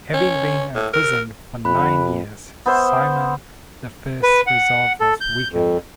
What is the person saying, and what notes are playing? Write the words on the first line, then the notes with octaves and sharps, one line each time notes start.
Having been imprisoned for nine years, Simon the First's resolve was weakened.
C#4
A2
A#4
F2 B5 F#6
B3 C5 E5
B4
F#5
A4
G6
F2